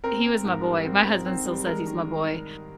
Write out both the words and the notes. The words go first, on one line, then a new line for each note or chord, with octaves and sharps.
eh, he was my boy, my husband still says "He's my boy,"
C4 A#4
C4
G#2
G3
C4
C4
C4
G3
G#3 A#4
D#3